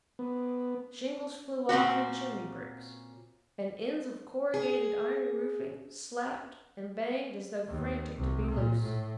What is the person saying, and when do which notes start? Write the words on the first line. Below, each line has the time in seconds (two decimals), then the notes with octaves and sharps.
Shingles flew off and chimney bricks, and ends of corrugated iron roofing slapped and banged as though frantic to be loose.
0.19 B3
1.69 A#2 C4 C#4 F#4
4.54 G#4
7.68 D#2
8.15 C2
8.50 A#2
8.81 A2